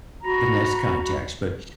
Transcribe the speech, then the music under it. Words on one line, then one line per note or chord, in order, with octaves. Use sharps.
in this context, but
F#4 A#5 B5